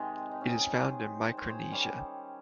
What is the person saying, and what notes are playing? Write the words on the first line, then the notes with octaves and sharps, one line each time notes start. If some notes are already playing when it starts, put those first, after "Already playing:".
It is found in Micronesia.
Already playing: C3 D#3 G#3 D#4
D#4
C#4
D#4
G#4 C5
C5
C#5
G#4 C5
D#3 G3 C#4